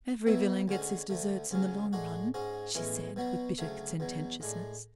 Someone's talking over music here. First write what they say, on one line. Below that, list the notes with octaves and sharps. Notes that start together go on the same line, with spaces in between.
"Every villain gets his deserts in the long run," she said, with bitter sententiousness.
B1 B2 F#3 B3 E4
D2 D3 G#3 C#4 F#4
D2 D3 A3
D2 C#3 F#3 C#4
A2 G#3 D4 F#4
G#2 G#3 C#4 F#4
B1 A2 E3 G#3 C#4
B2 F#3 B3 F#4
D2 C#3 F#3 A3
E2 B2 F#3
A2 G#3 D4